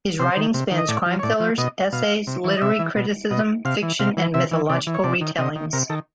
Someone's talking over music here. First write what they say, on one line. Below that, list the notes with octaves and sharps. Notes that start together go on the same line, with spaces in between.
His writing spans crime thrillers, essays, literary criticism, fiction and mythological retellings.
C3 C5
D#3
C3
D#3
D#5
A2 D5
F3
C#5
A2 D5
F3
B2 D#5
B2 F5
C3
E3
D#5
C3 E5
E3
B2
B2 D#5
C3 F5
E3
C3 F5
E3
C3 E5
E3
C3 D5
E3
C#5
C3 D5
D#3
C3 D#5
D#3
C3 A#4
D#3 A4